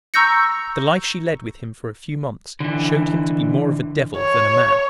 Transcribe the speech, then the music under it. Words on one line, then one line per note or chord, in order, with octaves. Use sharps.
The life she led with him for a few months showed him to be more of a devil than a man.
A#5 C#6 E6 G6 A#6 C#7
D3 E3
C#5